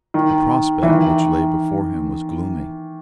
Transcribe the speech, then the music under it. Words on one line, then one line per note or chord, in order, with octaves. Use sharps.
The prospect which lay before him was gloomy.
D#3
E3
D#3